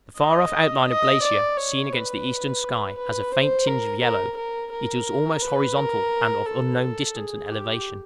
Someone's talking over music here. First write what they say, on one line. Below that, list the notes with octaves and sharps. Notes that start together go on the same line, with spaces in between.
The far-off outline of glacier, seen against the eastern sky, has a faint tinge of yellow; it is almost horizontal, and of unknown distance and elevation.
D#5
D#5
D5
C#5
B4
B4
C5
A#4
A#4
A#4
A#4
B4
A#4
A4
G#4
G4